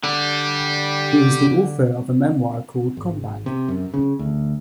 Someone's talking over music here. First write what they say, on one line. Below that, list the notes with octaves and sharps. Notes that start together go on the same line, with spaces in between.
He was the author of a memoir called "Combat".
D3 G4 D5
G#1
C3
F#2
C#3
D2